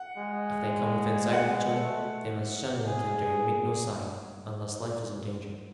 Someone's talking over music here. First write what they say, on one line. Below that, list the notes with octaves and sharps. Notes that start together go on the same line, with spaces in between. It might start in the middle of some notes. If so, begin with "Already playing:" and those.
If they come within sight of each other, they must shun an encounter, and make no sign--unless life is in danger.
Already playing: F#5
G#3
G#3 F#5
A3
G#4